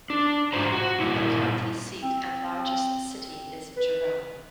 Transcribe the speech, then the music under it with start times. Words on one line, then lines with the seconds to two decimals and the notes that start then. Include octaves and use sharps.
The county seat and largest city is Jerome.
0.10 D4
0.53 G#2 C3 F4 F#4 C5 A#5
0.72 F#4
1.00 A#2 G3 E4
2.03 C4
3.77 B4